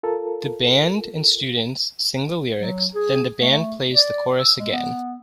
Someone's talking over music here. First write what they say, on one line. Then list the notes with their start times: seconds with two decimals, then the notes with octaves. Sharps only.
The band and students sing the lyrics, then the band plays the chorus again.
0.03 F4 A4 A#4
2.59 F#3
2.94 G#4
3.41 A3
3.94 D5
4.39 E6
4.59 G#3
4.72 B3